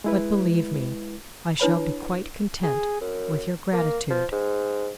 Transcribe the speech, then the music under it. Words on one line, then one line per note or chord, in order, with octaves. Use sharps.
But, believe me, I shall be quite content with your gratitude.
G#3 E4 B4
D4 E4 B4 C#5 B5
G#4
F#2
A#3
F3
G#2